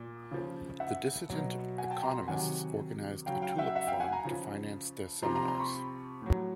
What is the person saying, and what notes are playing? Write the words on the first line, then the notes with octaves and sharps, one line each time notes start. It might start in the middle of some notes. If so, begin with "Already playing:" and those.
The dissident economists organized a tulip farm to finance their seminars.
Already playing: A#2
C#3 F3
E5 F#5
B2 F#3
F#5 G#5
G5 A5
A#5 C6
C3 D#3 F#3 F#5 G#5
C#3 F#3 F5 G5
F5 G5
E5 F#5
E5 F#5
F5 G5
F#5 G#5
G#5 A#5
C#3 F3
C3 F3 A#5 C6
A#5 C6
A#5 C6
B5 C#6
A2 F#3